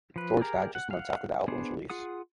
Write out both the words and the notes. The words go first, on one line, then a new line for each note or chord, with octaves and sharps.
George died just months after the album's release.
F3 B4
G4 G#4 A#4 A#5
F#5
F5 F#5
B3 D4 G#4 C5
F4 G#4 F#5 D#6